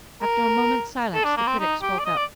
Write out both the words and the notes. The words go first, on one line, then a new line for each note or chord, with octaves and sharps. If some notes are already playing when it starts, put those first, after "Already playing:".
After a moment's silence the Critic spoke up.
A#4
A4
D4
A#3
C4
D#4
G4
D5
D#5
D5